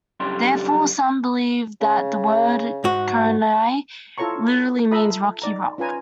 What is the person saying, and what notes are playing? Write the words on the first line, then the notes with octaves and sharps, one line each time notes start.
Therefore, some believe that the word Kranai literary means "rocky, rock".
F#2 C#3 G3 D4 G4 C6
C#3
G#2 F#4
E4 F4 A4 C#5 A#5 C#6
F4 A4 E5 A#5 B5 D#6
D#4 D5 A#5
C#4 F4 B4 G#5 A#5